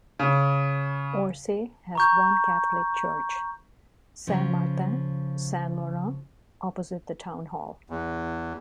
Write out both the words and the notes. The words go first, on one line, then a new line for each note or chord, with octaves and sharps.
Orsay has one Catholic church: Saint-Martin - Saint-Laurent, opposite the town hall.
C#3
A#5 C#6 G6
C#3 F3
E2